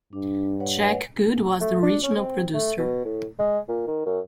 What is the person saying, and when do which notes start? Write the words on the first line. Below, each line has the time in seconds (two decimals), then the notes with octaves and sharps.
Jack Good was the original producer.
0.13 G2 D4
0.60 B4 C#5 F#5
1.61 A3
1.83 D4
2.03 C#4
2.17 C4
2.54 A3
2.78 B2
3.05 A2
3.39 G#3
3.68 A#2
3.87 D#3
4.06 F#2